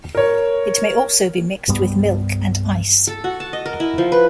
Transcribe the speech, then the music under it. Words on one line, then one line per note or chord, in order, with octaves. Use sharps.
It may also be mixed with milk and ice.
A#4 C#5
C2 G2 G3 B3
A4
F#4
A5
D#5
A#4
E4
F3
B4